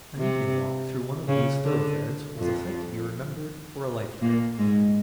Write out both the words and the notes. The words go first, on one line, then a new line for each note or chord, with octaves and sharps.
An evening walk through one of these thoroughfares was a sight to be remembered for a lifetime.
C3
C#3
D3
F2 F3
A#2 A#3
G#2 G#3